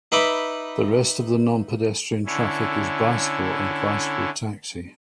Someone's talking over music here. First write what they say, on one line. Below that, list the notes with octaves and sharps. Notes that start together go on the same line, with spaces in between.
The rest of the non-pedestrian traffic is bicycle and bicycle taxi.
D#4 B4 E5 B5 D6
D3 C#4 E4